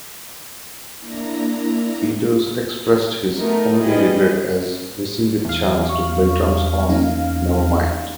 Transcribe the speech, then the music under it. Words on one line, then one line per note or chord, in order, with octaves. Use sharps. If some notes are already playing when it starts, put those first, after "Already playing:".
Peters expressed his only regret as missing the chance to play drums on "Nevermind".
A#3 D4 E4 A#5
A3 B3 D#4 A#4
G3 G#4 B4 D#5
E2 F5
C#6
A#3 C#4 D#4